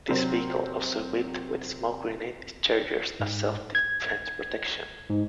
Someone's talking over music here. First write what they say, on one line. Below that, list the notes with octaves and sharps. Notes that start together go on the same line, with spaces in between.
This vehicle also equipped with smoke grenade dischargers as self defence protection.
C3 F#3 C4 A#4 C5
G#2
G#6
G#2